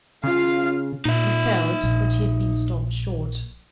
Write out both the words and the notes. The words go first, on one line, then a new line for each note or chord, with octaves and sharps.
He felt that he had been stopped short.
C#3 F4 F5
A#2 D#4 E5
A#1